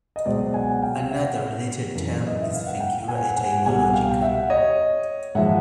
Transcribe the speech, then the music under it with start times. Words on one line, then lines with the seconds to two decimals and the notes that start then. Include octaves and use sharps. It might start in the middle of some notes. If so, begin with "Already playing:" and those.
Another related term is figura etymologica.
0.16 D#5
0.25 C#2 B2 F#3 C5 D5
0.54 F#5 G#5
0.82 F5 G5
1.10 E5 F#5
1.95 F#2 C#3 E3
2.27 D#5
2.41 E5
2.54 F5
2.67 F#5
2.80 F5 G5
3.08 F#5 G#5
3.37 F#5 G#5
3.65 C2 B2 G3 F#5 G#5
3.93 F5 G5
4.11 G5
4.22 E5 F#5
4.50 C#5 D#5
5.35 G#2 F3 E5 F#5